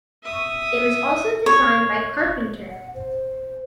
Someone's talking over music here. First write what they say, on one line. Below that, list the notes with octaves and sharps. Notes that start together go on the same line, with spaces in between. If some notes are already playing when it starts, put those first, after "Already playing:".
It was also designed by Carpenter.
E5 D#6
C#5
F#5
C5